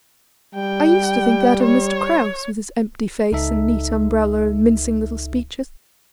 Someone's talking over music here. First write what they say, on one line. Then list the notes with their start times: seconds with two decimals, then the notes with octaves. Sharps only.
I used to think that of Mr. Crowse, with his empty face and neat umbrella, and mincing little speeches.
0.55 G3 G5
1.63 C#5
3.32 C#2 D#4 A4 E5